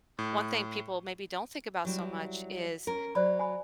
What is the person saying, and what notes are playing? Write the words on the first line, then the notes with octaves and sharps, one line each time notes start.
one thing people maybe don't think about so much is,
A2
F#3 G3 E4
C#4 A#4
F#3 C5 D5 B5
G#5 B5